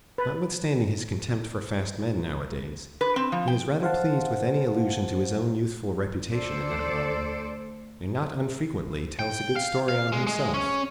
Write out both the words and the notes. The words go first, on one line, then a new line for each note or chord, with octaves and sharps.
Notwithstanding his contempt for fast men nowadays, he is rather pleased with any allusion to his own youthful reputation in that line, and not unfrequently tells a good story on himself.
B4
B4
C4
F3
G5
C5 F5 F#5 A5
D2 A4 C5 D5
G5
F5
F5
G#3
G#3
C#4